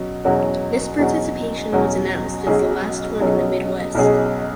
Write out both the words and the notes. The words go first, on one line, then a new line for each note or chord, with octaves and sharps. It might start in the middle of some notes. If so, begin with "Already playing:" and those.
This participation was announced as the last one in the Midwest.
Already playing: B2 F#3 C#4
E2 B2 F#3 C#4 F#4
E2 B2 F#3 C#4 F#4
E2 B2 F#3 C#4 F#4
B1 B2 F#3 C#4 G#4
B1 B2 F#3 C#4 G#4
B1 B2 F#3 C#4 G#4